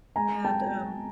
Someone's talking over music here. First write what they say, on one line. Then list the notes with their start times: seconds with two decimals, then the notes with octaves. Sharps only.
and, um,
0.16 G#3 G#5 A#5
0.45 G5 A5